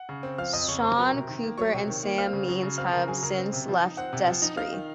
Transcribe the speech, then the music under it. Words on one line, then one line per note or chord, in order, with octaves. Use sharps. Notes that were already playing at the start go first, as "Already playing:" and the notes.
Shaun Cooper and Sam Means have since left Destry.
Already playing: F#5
C#3
C4
F3 F5 F6
F2 D#5 D#6
C#3 C#5 C#6
C4 C5 C6
F#3 A#4 A#5
C3
D#3
A#3
F#3 C#5 C#6
C3
D#3
A#3
C4 F5 F6
C#3
F#3
C#3
C4 F5 F6
C#3 A#4 A#5
F#3 G#4 G#5
C#3 A#4 A#5
C4
C3
F3
D#4
C4 F#5 F#6
C3
F3
D#4
D#4 F5 F6
D#3